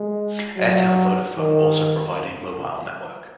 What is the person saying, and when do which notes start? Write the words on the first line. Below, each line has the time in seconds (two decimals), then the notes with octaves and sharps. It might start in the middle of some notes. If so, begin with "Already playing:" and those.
Airtel-Vodafone also provide a mobile network.
Already playing: G#3
0.57 F#3
1.37 D#3